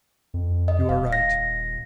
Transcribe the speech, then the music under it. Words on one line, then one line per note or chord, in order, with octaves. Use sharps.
You are right.
F2
D#5
D#1 F5
A#6